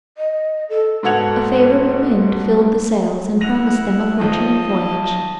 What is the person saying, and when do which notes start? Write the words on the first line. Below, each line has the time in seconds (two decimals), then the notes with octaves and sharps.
A favorable wind filled the sails, and promised them a fortunate voyage.
0.18 D#5
0.70 A4
1.03 G#2 B2 A4 F#5 G#6 F7
3.41 E4 F#5 A#6 F7
4.19 B1 D#3 F3 D#5 A5